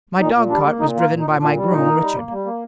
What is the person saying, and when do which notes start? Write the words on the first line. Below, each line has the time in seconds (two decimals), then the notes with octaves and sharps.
My dogcart was driven by my groom, Richard.
0.19 A#2 D#4
0.35 A#2
0.49 G3 D4
0.65 A#3
0.80 A#2 D#4
0.95 A#3
1.00 F4
1.10 A#2
1.20 D#4
1.25 A#2
1.40 A#2 D4
1.56 G3
1.71 A#2 D#4
1.85 A#3
2.01 G3
2.15 A#3
2.31 G3
2.46 A#3